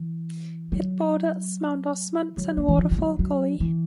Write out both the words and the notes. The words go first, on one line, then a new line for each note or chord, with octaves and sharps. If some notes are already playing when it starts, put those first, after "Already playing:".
It borders Mount Osmond and Waterfall Gully.
Already playing: E3
F#3
F#3
A#3
E3
F3
F3
F#3
F#3
E3